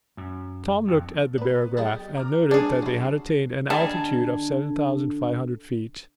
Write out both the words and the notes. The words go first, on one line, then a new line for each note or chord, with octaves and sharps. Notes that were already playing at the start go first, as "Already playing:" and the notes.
Tom looked at the barograph, and noted that they had attained an altitude of seven thousand five hundred feet.
F#2
F2
B3 D4 B4
G3 D4 G4 G#4 D#5 A6
A#5 D6 F6
G#2 G3 G#3 D4 G#4 D5
F#3 E4 F#4 C7
D3 G3 D#4 G#4 A5